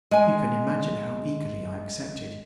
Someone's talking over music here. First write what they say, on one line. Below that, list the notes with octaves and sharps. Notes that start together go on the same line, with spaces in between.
You can imagine how eagerly I accepted.
G#3 G#5